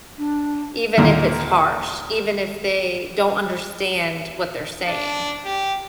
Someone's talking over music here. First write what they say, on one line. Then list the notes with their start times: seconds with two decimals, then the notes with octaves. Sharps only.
even if it's harsh, even if they don't understand what they're saying.
0.18 D4
0.97 D#2 A#2 D3
4.87 D4
5.45 G4